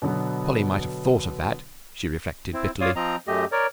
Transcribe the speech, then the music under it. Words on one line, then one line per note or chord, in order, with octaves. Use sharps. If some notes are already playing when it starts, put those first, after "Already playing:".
Polly might have thought of that, she reflected, bitterly.
B2 D3 F#3 B3
C4 E4
F4 C#5 D5 F5 D#6
F3 C4 D#5 A#5
F#2 A3 G4 D#5
A#4 C#5 D5